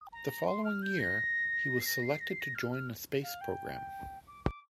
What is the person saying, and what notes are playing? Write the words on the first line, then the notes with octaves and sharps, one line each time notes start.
The following year, he was selected to join the space programme.
A#5
C6
F6
G6
A#6
C7
A#6
C7
A#6
C7
A#6
F6
F6
F5
G5
D6
D6